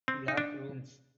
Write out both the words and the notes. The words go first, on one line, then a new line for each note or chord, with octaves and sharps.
Black Rooms!
C4
D#4
D4